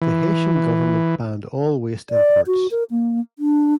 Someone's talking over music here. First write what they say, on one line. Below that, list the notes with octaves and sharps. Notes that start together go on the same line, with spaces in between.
The Haitian government banned all waste imports.
E3
D5
F#4
A#4
A#3
D4